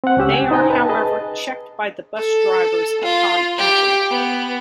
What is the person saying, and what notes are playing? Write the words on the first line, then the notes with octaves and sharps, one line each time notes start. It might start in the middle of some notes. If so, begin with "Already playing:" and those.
They are however checked by the bus drivers upon entering.
C4 F#5
C#2 C#4 G4 E6
G#5
D#4 C5 D#5 G5 G#5 A#5
B4 A5
G#4 B4 D#5 A5
A4
F4
G4
B3